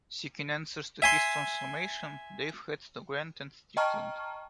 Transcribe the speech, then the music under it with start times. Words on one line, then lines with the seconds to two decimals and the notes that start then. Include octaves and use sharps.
Seeking answers to his transformation, Dave heads to Grant and Strictland.
1.02 E5 G#5 C6
3.77 D#5 G5 A5 A#5 C#6 F6